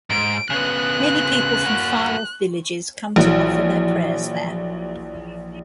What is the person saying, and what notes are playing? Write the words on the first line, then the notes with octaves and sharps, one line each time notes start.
Many People from far off villages come to offer their prayers there.
G#2 D7
C#3 B3 F#6
A#3 F#4
A#1 E3 F#3